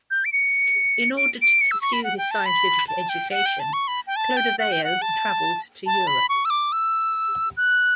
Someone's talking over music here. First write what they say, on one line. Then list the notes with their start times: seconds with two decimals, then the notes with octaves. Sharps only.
In order to pursue his scientific education, Clodoveo traveled to Europe.
0.11 G6
0.25 D7
0.33 C#7
1.17 D7
1.42 D7
1.61 C#7
1.71 E6
1.81 C#6
1.93 B5
2.04 F#5
2.18 G5
2.31 A5
2.46 B5
2.88 A5
3.09 G5
3.31 F#5
3.46 G5
3.60 A5
3.73 C#6
3.88 B5
4.07 G5
4.16 A5
4.37 G5
4.59 F#5
4.72 G5
4.84 F#5
5.02 A5
5.86 A5
6.07 B5
6.29 C#6
6.45 E6
6.50 D6
6.72 E6
7.57 F#6